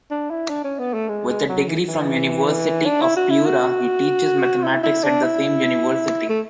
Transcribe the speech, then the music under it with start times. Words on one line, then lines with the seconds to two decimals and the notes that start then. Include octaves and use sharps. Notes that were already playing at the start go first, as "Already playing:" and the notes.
With a degree from the University of Piura, he teaches mathematics at the same university.
0.11 D4
0.30 E4
0.50 D4
0.64 C#4
0.79 B3
0.94 A3
1.09 G#3
1.29 G#3
1.49 F#3
1.67 E3
1.88 E3
2.86 D4
3.02 E4
3.16 F#4
3.31 E4
3.46 F#4
4.63 E4
4.83 E4
5.04 D4
5.24 E4
6.29 A3